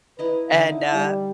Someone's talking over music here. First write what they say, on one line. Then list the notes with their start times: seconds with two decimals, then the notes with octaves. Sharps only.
And, uh
0.19 E4 B4 D#5 A#5
0.52 D3 D#4 E4
0.94 G3